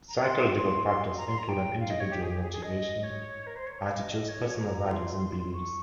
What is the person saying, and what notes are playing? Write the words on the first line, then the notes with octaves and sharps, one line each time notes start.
Psychological factors include an individual's motivation, attitudes, personal values and beliefs.
A#5
C6
C6
C6
A#5
C6
A#5
G5
F5
D#5
C#5
G4
G#4
G4
G#4
G#4
D#5
C#5
A#4
C5
C#5
C#5
F5
D#5
C#5
A#5
C6
C#6